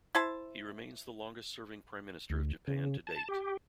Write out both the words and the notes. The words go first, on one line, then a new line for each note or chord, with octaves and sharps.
He remains the longest-serving Prime Minister of Japan to date.
E4 C5 A5
D2
C#3
A5
G4